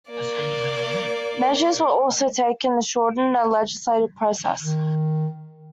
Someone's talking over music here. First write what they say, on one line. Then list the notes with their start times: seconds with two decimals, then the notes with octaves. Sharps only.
Measures were also taken to shorten the legislative process.
0.10 A#3 D5
4.61 D#3